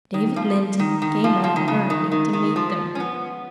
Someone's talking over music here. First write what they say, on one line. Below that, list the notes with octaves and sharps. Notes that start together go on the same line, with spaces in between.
David Linton came out hurriedly to meet them.
D#3
F3
D#3
D#3
F3
F3
D#3
C#3
D#3
D#3
D#3
F3
C#4
B3